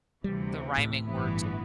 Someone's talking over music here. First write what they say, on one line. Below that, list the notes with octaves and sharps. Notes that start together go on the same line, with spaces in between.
the rhyming word, too?
D2 C3 E3 G3
A2
G1 G2 E3 B3 E4